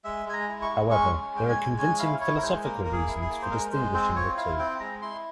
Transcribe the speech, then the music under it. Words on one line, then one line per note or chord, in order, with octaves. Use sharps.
However, there are convincing philosophical reasons for distinguishing the two.
G#3 E5
G#3 G#5
A#5
E4
C#6
G#3
C#4 C#6
C#4
G#3 G5
G#5
G#3
C#4 G#5
E4 F5
E4 C#5
A#4
G#3 C5
A#3 A#4
A#3 A#4
G#4
E4
G#4
A#3
C5
G#3 A#4
G#3 C5
C4 C5
F4 C#5
E4 F5
C4 G5
G#3 A#5
E4 C6